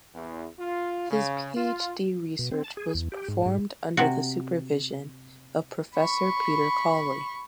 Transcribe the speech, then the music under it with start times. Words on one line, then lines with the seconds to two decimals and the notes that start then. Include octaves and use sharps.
His PhD research was performed under the supervision of Professor Peter Cawley.
0.15 E2
0.60 F4
1.11 C#3
1.56 F4
2.39 B2
2.51 C4
2.64 A5
2.77 G#4
2.94 E2
3.12 G4
3.28 G#2
3.46 G#2
3.97 C3 F#4
5.95 B5 C#6